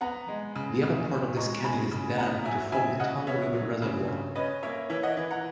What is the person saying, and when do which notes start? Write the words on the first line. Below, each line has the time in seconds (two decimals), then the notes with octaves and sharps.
The upper part of this canyon is dammed to form the Tongue River Reservoir.
0.01 B3 F#5 A#5
0.28 G#3
0.55 C#3
0.83 C#3
1.10 B3
1.37 G#3 A#5 C#6
1.64 C#3 G#5 B5
1.91 C#3
2.18 B3 F#5 A#5
2.45 F#3 E5 G#5
2.72 C#3 E5 G#5
3.00 C#3 D#5 F#5
3.27 B3 C#5 E5
3.55 F#3
3.82 C#3
4.08 C#3
4.36 C#4 B4 D#5
4.63 A#3 C#5 E5
4.90 E3 C#5 E5
5.03 D#5 F#5
5.17 E3
5.31 F#5 A#5